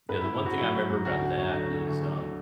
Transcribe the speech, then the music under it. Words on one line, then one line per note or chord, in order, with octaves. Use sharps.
yeah, the one thing I remember about that is, um,
G#2 B4
E4
G#2
E4
G#2 F#4
F#3 E4
F#3
G#2
D2 F#4
D3
F#3
D3
D3
D2
F#3
D3